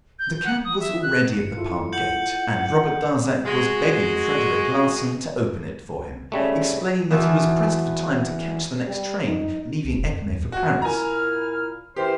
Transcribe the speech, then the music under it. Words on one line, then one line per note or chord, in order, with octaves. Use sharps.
The cab was already at the park gate and Robert Darzac was begging Frederic Larsan to open it for him, explaining that he was pressed for time to catch the next train leaving Epinay for Paris.
G6
F#5
D#6
E5
F#6
G1 C#7
E4 F4 A4
F#5 G6 C#7 F#7
G#3 F#4
C#3 G3 A3
E2 E3 E4 F#4 E5 A5
G3
D#4
C2
E1
F2
D#2
F#4
A#2 E4 G#5 A#5 F6
E3 G4 A#4 C5